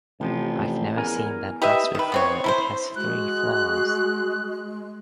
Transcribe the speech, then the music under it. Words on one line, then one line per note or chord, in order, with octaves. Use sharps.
I've never seen that bus before. It has three floors!
A1 C3 F3
E2 A#4 G#5
G4 B4 D#5 E5
D#3 B4
B3 C4 C#5
E4 A#4 C5
G#3 F#4 F#6